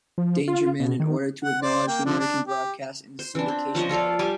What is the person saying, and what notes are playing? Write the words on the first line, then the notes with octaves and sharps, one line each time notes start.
Danger Man in order to acknowledge the American broadcast and syndication title.
F3
F4
B2
D#3
F#5
C5 D5
A#3 G5
D3 F3 D4
D4
G4
C5
E3 D4
C4
F3 C5 C#5 D#5
F4 A4 D5 F5
G3 G4 G#5 D6